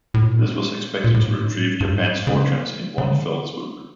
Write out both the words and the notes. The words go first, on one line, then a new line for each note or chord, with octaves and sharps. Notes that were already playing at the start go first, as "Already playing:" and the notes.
This was expected to retrieve Japan's fortunes in one fell swoop.
A2
A#2
A#2
A2
G#2
A2
G2
G#2
C#3
C#3
D3